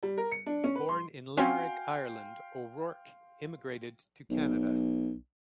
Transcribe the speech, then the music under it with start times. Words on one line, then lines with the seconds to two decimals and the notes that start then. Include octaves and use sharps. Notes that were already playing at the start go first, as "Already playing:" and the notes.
Born in Limerick, Ireland, O'Rourke immigrated to Canada.
0.03 G3
0.18 A#4
0.32 C#7
0.46 D4
0.64 C#4
0.75 B4
0.89 C6
1.37 C4 C#4 F#4 F5 G5 G#5 C6
4.30 B1